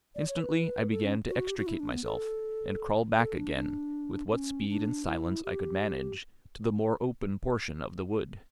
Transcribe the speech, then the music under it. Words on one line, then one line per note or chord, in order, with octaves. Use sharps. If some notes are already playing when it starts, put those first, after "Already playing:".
Instantly I began to extricate myself and crawl back again, with what speed and silence I could manage, to the more open portion of the wood.
D5
C#5
B4
A4
C#4
F#4
G4
F#4
E4
D4
B3
A4
A4
D4
D4
C#4
D4
E4
G4